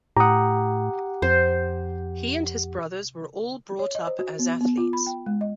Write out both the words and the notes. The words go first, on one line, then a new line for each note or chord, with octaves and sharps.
He and his brothers were all brought up as athletes.
A2 G4 F#5 A#5 D#6
F2 C5
C#5
D#5
C5
F#4
B3
B3
F4
B5
G5
G#3
D#5